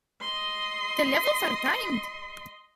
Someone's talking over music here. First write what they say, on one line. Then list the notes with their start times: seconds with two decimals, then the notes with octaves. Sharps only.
The levels are timed.
0.20 D#5 C6